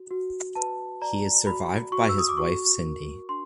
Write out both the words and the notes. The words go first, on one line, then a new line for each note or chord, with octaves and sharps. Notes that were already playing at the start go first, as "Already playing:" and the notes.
He is survived by his wife Cindy.
Already playing: F#4
F#4
B4 A5
D5 A#5
F#4 B5
F#4 C#6
E6
D#6
D6
F#4 C#6
A#4
D4 C6